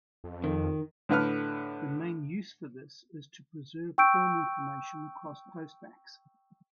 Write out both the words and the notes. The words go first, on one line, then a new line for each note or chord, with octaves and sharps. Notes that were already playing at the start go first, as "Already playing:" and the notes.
The main use for this is to preserve form information across postbacks.
F2
D#3
A2 D3 B4 F6
G5 C#6 E6 G6 D7